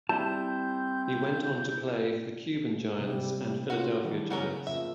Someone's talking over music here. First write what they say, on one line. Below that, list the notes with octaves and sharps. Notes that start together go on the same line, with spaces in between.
He went on to play for the Cuban Giants and Philadelphia Giants.
G3 C4 E4 A5 G6
C3 G3
C#4 F4 F#4
D#3 E3 G3 A3
C#3 B3 C#4 A#4
F2 A#3 E5